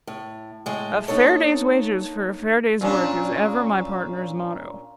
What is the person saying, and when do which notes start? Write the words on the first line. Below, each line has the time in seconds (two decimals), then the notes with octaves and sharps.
A fair day's wages for a fair day's work is ever my partner's motto.'
0.07 A2
0.66 A2 G#3
1.08 A#3 D4 D#4 A4 C#5
2.81 A#2 C#4 D4